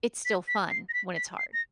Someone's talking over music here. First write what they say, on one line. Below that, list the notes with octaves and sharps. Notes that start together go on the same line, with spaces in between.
it's still fun when it's hard.
B6
B6
C7
A#6
B6
B6
C7
A#6